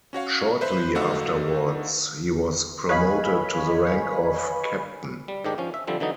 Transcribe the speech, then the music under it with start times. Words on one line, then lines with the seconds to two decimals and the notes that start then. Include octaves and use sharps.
Shortly afterwards he was promoted to the rank of captain.
0.13 C#4 F#4 C#5 F5
0.61 B4 C5 E5 B5
0.95 D3 A3 D#4 F#4 F5 E6
2.89 B4 C#5 D#5 F5 G#5 B5
5.28 G3
5.44 G#2 D#3 D4 G4
5.58 F3 C#4
5.74 E5
5.87 D3 F3 G3 C4
6.00 D3 E3 F#3 D#4